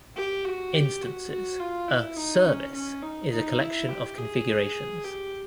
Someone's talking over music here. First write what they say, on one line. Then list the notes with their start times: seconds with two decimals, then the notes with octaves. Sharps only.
Instances: a "service" is a collection of configurations.
0.17 G4
0.45 F#4
0.74 G4
1.03 F#4
1.31 F#4
1.59 F4
1.89 E4
2.17 D#4
2.45 C#4
2.75 C#4
3.03 D#4
3.32 D#4
3.60 E4
3.89 G4
4.18 G#4
5.04 G4